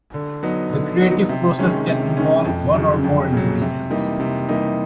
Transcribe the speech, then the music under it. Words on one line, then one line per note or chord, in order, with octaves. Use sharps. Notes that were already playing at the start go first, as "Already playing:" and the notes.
The creative process can involve one or more individuals.
D3
F#3 B3 D#4
D3
F#3 B3 D#4
C3
D#3 G#3 C#4
C3
D#3 G#3 C#4
F2
C#3 F#3
F2
C#3 F#3
C3
E3 G3 A#3 D#4
C3
E3 G3 A#3 D#4